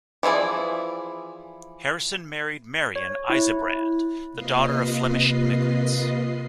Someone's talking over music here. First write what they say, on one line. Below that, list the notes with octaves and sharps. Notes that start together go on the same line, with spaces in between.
Harrison married Marion Isebrand, the daughter of Flemish immigrants.
E3 F3 E4 G#4 D5
C#5
E4
C3 A#3 F4 B4 D#5 C7